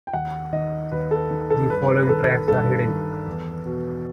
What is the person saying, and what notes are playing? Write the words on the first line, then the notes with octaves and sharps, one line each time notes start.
The following tracks are hidden.
G5
D#2 F#5
D#3 D#5
D#2 B4
A4
D#3
A4
G2 B4
B4
D#3 A4
G2 A4
D#3
E2
B2